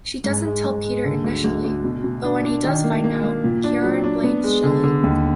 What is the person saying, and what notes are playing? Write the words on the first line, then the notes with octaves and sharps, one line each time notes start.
She doesn't tell Peter initially but when he does finds out, Ciaran blames Shelley.
G#2
G#3
G#2
G#3
D3
D2
D2
D2
B2
B2
D4
D4
D#3
A#3
A#3
A#3
A#2
D4
F#3
D4
B3
G#3
D3
D3
D#2